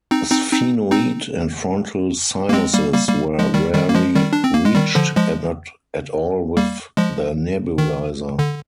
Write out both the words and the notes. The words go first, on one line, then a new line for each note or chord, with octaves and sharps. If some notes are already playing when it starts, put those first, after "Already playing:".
Sphenoid and frontal sinuses were rarely reached, and not at all with the nebulizer.
C4 D#4
C4 D#4
C4 D#4
C4 D#4
A#3
G#3 C4
G3 A#3
G3 A#3
G3 A#3
F3 G#3
D#3 G3
D#3 G3
A#3
F3 G#3
D#3 G3
D4
C4
A#3
G#3
D#3 G3
D3 F3
F3 G#3
G3 A#3
F3 G#3
D#3
D3